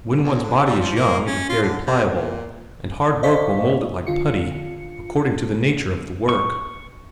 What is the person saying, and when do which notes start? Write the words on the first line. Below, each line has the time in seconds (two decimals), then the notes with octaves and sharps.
When one's body is young, it is very pliable, and hard work will mould it like putty according to the nature of the work.
0.06 G2
0.23 E2
0.42 D3
0.64 G3
0.80 F3
0.96 A#3
1.27 C#4
1.49 F4
1.62 D3
1.86 C3
2.13 A#2
3.23 C5 D5 D#5 F5 C#6 B6
4.07 D3 F4 C#7
6.29 C#6